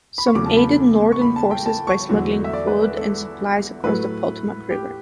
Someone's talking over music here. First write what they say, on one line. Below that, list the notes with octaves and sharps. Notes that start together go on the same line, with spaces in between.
Some aided Northern forces by smuggling food and supplies across the Potomac River.
B5
C#6
E2 C#3 F#3 A3 D6
A5
B5
C#6
B5
A5
G5
A5
C#6
E2 D3 F#3 A3
E5
D5
B4
B4
A4
A2 F#3 A3 B4
G4